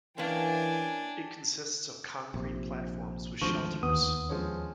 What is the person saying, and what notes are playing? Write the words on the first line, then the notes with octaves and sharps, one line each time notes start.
It consists of concrete platforms with shelters.
E3 A#3 C#4 D4 G5 G#5
A#1 C3
G#1 D2 F3 C#6
D#2 B3 D#6
F3 G#3 C#4